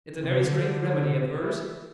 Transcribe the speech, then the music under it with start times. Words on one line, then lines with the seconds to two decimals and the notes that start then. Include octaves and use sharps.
It's a very strange remedy of hers.
0.23 C3
0.43 D3
1.40 E3